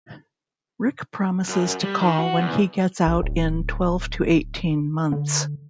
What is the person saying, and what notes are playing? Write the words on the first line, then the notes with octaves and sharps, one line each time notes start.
Rick promises to call when he gets out in twelve to eighteen months.
F#2
G3
D#3
F#4
E2
A#1
D1
D3